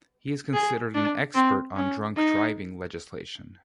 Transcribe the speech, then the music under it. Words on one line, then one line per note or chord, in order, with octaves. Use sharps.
He is considered an expert on drunk driving legislation.
G#4
D4
C4
C#4
D#4